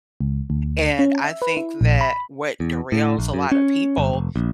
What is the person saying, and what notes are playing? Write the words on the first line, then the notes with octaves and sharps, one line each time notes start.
and I think that what derails a lotta people
C#2
D2
C#4
E5
B4
E4
A#1
B5
E2
A2
A#1
F#2
C#4
G1
F1
A#1